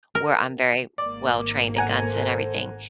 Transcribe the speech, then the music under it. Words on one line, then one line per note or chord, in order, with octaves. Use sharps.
where I'm very well-trained in guns and everything,
A#4
G#1 G#2 A#3 D5
A4 C5 F#5 G#5 A#5